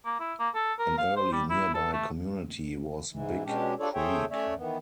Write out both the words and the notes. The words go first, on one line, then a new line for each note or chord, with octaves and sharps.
An early nearby community was Big Creek.
A#3
E4
A#3
A4
A#4
F5
C5
G3
E4
A4
A3
G#2 E3
B2 G#3 C#4 D4 G4
D4 F4 A4 C#5 D5
G#4 A4 C5 C#5 E5 G5
A3 C#4 C#5 D5 E5
D#3 E3 B3